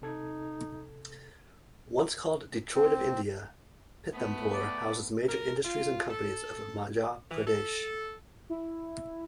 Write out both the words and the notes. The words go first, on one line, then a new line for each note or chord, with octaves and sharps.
Once called, 'Detroit of India', Pithampur houses major industries and companies of Madhya Pradesh.
C3 D#4 A4 G#6
C4
A3 B3
D5
A#4
F4
A4
E3
A4
E4